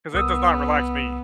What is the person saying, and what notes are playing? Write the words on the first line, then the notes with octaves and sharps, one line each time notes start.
'Cause it does not relax me.
C2 B3 D#6 E6